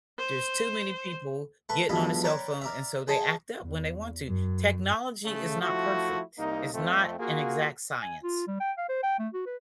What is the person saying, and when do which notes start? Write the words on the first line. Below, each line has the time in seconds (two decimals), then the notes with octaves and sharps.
There's too many people getting on a cell phone, and so, they act up when they want to. Technology is not perfect. It's not an exact science.
0.18 C5
1.69 A3 B4 C#6
1.89 E2 G2 B2 F3 A3 B5
2.24 A#4 B4 C#5 D5 G5
2.61 A#4 D5 E5
3.08 G#4 C5 D#5 A5
3.62 E2
4.26 F#2
5.25 C#3 A3
5.62 F3 A3 E4 F#4
6.38 C2 A#3 D#4
6.73 F2 A3 C4
7.18 A#3 F4 F#4 G#4
8.02 G#5
8.22 F4
8.47 G3
8.60 G5
8.77 F5
8.89 C5
9.03 G5
9.19 A3
9.33 F#4
9.46 B4